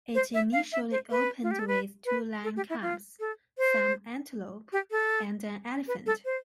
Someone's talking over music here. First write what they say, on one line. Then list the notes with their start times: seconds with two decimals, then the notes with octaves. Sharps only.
It initially opened with two lion cubs, some antelope, and an elephant.
0.15 C5
0.34 E5
0.53 F5
0.72 E5
0.91 C5
1.11 B4
1.43 F4
1.51 G4
1.59 A4
1.68 B4
2.06 B4
2.44 A4
2.56 G4
2.70 E4
2.82 F4
3.20 A4
3.58 C5
4.72 G4
4.91 A4
5.88 B4
6.06 A4
6.25 C5